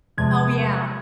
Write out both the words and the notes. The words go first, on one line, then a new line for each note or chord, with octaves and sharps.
Oh, yeah,
E2 C3 F3 G#3 G#6